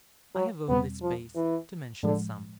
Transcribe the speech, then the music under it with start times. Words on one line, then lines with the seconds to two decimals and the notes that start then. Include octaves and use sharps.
I have only space to mention some.
0.35 F#3
0.68 E2 B2 G3 B3 C4
1.02 F3
1.36 E3
2.03 A2 D3 F3 G#3